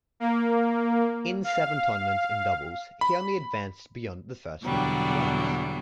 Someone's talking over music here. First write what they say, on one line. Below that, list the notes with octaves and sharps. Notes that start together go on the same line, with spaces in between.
In seven tournaments in doubles, he only advanced beyond the first round once.
A#3
F5
B5
E2 B2 D3 F#3 G3 D4